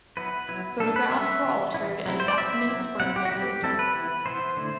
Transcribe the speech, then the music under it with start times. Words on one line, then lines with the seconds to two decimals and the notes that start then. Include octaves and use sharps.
Photographs were altered and documents were invented.
0.17 F#3 B3 E4 B4
0.49 F#3 B3 E4
0.80 G3 D4 A4
0.96 B4
1.12 G3 D4 E5
1.43 E3 B3 E4
1.74 E3 B3 E4
2.06 F#3 C4 E4
2.20 C5
2.28 D5
2.37 F#3 C4 E4 E5
2.69 F#3 C4 E4
3.00 F#3 C4 E4 F#5
3.16 G4
3.25 F#4
3.32 G3 C4 E4 G4
3.62 G3 C4 E4 A4
3.79 B4
3.95 E3 B3 E4
4.26 E3 B3 E4 C5
4.57 D3 A3 E4